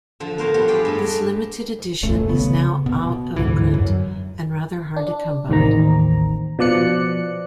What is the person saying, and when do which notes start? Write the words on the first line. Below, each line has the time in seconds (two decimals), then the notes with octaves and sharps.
This limited edition is now out-of-print and rather hard to come by.
0.20 D3 F3
0.38 B3 A#4 C5 C#5 F5
0.54 F3 G3 B3 G4
0.68 G4 G#4 B4 D5 G5
0.85 G2 A3 B5
2.03 D#1 B1 F#2 A3
2.29 C#3 B3
2.86 B2
3.36 D2 G#2 D3 E3
3.74 F#2
4.96 D4
5.49 A1 D#2 D#3 C4 A#5
6.59 B2 F3 D5 F#6 C#7